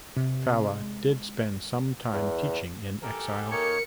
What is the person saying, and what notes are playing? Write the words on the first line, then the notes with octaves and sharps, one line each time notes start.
Falla did spend some time teaching in exile.
C3
G#3
E2
G4 A4 A#4 G#5
A#3 D#4 A#4 C#5 C#7